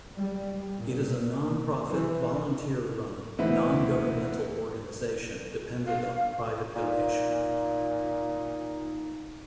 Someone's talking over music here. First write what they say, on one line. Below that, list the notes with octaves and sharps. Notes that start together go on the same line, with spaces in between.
It is a non-profit volunteer-run, non-governmental organisation dependent on private donation.
G3
A#2
E3
D2 E3 C4 D#4 B4 E5
F5
A#2 D#4